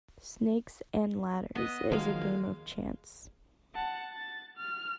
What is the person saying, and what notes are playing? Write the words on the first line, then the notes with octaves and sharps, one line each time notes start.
Snakes and ladders is a game of chance.
B3 D#5
D#3 F3 F#3 G#3 A#3 F5
F#5 A5
A6
F6